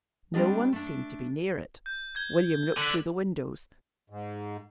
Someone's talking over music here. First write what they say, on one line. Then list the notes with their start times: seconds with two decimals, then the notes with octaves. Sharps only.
No one seemed to be near it. William looked through the windows.
0.34 G3 C4 D4 G4 D5 D#5
0.73 A3 D4
1.86 G6
2.15 G6 G#6 G7
2.77 D3 F#6 B6
4.10 G#2